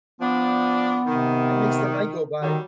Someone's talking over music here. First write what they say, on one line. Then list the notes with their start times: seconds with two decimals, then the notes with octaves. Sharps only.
It makes the night go by.
0.21 F3 B3 D4
1.06 C3 D#3
2.41 D#3 F#3 G3